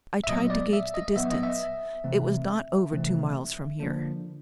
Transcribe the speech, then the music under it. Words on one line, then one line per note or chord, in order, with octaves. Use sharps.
I tried to gauge the distance; it was not over two miles from here.
E5
A#2 F#3 B3 D#5
D5
E5
D#5
A#2 F#3 B3 E5
D#5
E5
C3 E3 A3 C4
C3 E3 A3 C4
D3 F3 A#3 D4